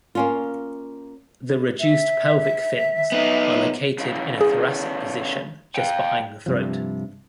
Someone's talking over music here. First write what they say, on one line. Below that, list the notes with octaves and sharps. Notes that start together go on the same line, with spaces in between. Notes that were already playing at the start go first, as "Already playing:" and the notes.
The reduced pelvic fins are located in a thoracic position, just behind the throat.
A#3 C#4 F4
E5
B3 D#4
C#3 E3
G#4
F5 G5
G2 C3 F3